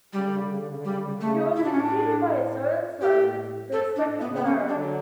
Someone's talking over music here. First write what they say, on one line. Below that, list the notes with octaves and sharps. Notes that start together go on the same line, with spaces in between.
He was succeeded by his only son, the second Baron.
C#3 G3
D3
C#3
D3
C#3
D3
C#3
D3
C#3 G3
D3
C#3
D3
C#3 A3
A2 E4
D4
C#4
D4
G2
A2 G4
G2 A4
G2
A2
D4
A2
B3
C#3
B3
F#3 C#4
G3
D4
D3 F#3